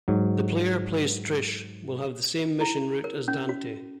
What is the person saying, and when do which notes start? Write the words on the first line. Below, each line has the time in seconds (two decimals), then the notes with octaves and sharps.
The player plays Trish will have a same mission route as Dante.
0.08 G#2 F#3
2.61 E4
3.04 A#4
3.28 C#4
3.49 F#4